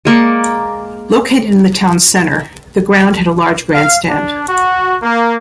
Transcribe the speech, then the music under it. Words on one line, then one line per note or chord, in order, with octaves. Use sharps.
Located in the town centre, the ground had a large grandstand.
G#3 A#3 D5 C#6
F5
D4
F#4
A#3